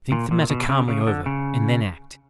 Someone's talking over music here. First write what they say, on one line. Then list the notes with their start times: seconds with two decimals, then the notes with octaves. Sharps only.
Think the matter calmly over, and then act.
0.12 A#2
0.31 A#2
0.50 B2
0.69 C#3
0.88 C#3
1.07 D3
1.26 C#3